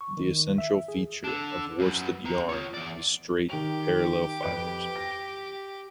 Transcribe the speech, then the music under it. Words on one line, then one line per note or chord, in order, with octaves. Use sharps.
The essential feature of worsted yarn is straight, parallel fibres.
C#6
D#3
E5
G#4
D3 D4
F#2 B4
C4 A#5
F4 C#5
E2 D5
D#3 G4 F7
F2 B4 D7
A#6